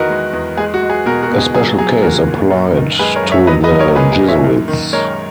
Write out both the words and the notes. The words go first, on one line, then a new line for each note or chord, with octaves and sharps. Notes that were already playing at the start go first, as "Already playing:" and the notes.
A special case applied to the Jesuits.
Already playing: E2 D#3 F#4 A#4 B4 D#5
G#3
E2
G#3 G#4
F#4
G#3
G#4
B2 F#4 A#4
F#4 A#4
B2
G#4
F#3 G#4
F#3 G#4
A#2 F#4 A#4
A#2
F#2
D#3
G#3 G#4 B4
A#4 C#5
F#2
C#5 E5
F#3 B4 D#5
B4 D#5
F#3
A#4 C#5
A#2 G#4 B4
G#4
A#2
C#5 E5
F#2
D#3
G#3 A#4 C#5